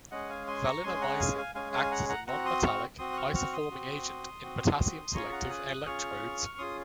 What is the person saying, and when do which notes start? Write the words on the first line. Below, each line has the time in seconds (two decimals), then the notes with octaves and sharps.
Valinomycin acts as a nonmetallic isoforming agent in potassium selective electrodes.
0.11 G#3 C#4 G#4 D#5 F#5
0.29 F5 G#5
0.47 G#5 C6
0.65 A#5 C#6
0.83 G#3 C#4 G#4 G#5 C6
1.01 F#5 A#5
1.19 F5 G#5
1.38 F5 G#5
1.55 G#3 C#4 G#4 F5 G#5
1.73 F5 G#5
1.91 F#5 A#5
2.09 F#5 A#5
2.27 C4 F#4 F#5 A#5
2.45 C6 D#6
2.63 C#6 F6
2.99 C4 F#4 C6 D#6
3.13 F#6
3.17 C#6 F6
3.35 C#6 F6
3.53 C6 D#6
3.71 C4 F#4
4.43 C4 F#4
5.14 C#4 F4 G#4 A#5 C#6
5.32 F#5 A#5
5.50 D#6 F#6
5.69 D#6 F#6
5.86 C#4 F4 G#4 C#6 F6
6.58 C#4 F4 G#4 C6 D#6